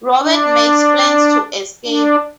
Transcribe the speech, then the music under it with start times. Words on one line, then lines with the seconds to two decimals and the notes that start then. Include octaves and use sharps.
Robert makes plans to escape.
0.21 D4
1.87 D4